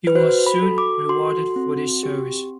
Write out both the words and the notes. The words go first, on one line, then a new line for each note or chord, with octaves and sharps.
He was soon rewarded for this service.
B4
F#4 C5
B5
A4
D6
F#4 C6
C4
G4